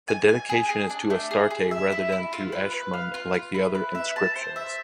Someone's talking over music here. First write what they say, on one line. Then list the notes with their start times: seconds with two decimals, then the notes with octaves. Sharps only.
The dedication is to Astarte rather than to Eshmun like the other inscriptions.
0.08 G#5
0.29 G#5
0.49 G#4
0.69 G#4
0.90 D4
1.10 A3
1.31 G#4
1.51 G#4
1.71 E5
1.92 E4
2.12 E4
2.33 F4
2.52 B4
2.73 B4
2.93 F5
3.14 F4
3.34 F4
3.54 E4
3.75 B4
3.95 E5
4.16 A5
4.36 C5
4.56 E5